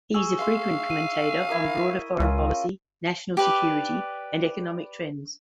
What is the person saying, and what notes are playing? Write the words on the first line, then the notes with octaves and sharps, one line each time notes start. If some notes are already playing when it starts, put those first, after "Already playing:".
He is a frequent commentator on broader foreign policy, national security, and economic trends.
G#4 C#6 E6
E5 F5 C6
D#7
E4 A#4 D#5
C#2 C#4 F4 A#4
G4 B4 D5